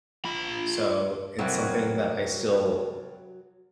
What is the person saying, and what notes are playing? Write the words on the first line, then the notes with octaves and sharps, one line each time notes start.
So, it's something that I still
F4 B5
C2 C3 F#3 A#3